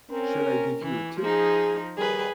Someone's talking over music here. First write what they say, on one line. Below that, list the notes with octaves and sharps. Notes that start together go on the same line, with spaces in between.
Shall I give you a tip?
C4 C#4 A#4
E3
F3 D#4 G#4
D#2 D#3 G3 G#4 B4